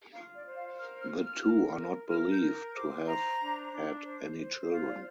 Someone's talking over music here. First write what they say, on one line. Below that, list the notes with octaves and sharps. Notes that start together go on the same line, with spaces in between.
The two are not believed to have had any children.
F4 F5
D5
C5
F5
A#4 F6
F6
F4
F6
A#4
A#4
A#4 F6
G6
A#4
C5 D6
C5 A#5
D4
D4
C5
C5
F4 F5
D5